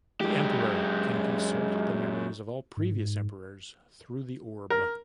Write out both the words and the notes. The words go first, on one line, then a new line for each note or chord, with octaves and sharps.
The Emperor can consult the memories of all previous emperors through the Orb.
F#2 G#3 G4
G#2
A#4